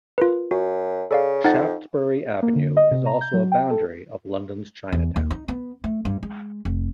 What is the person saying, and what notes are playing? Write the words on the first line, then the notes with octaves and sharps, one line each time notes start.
Shaftesbury Avenue is also a boundary of London's Chinatown.
F4 A#4 B4
F#2 F#4
C#3 A4 D5 F5
F2 D#4 F#5 A6
A#3
D3
D#5
C3
A#5
G6
F#3
G5
A4
E2
D#2
D#4
B3
A3
G2
G#3
F1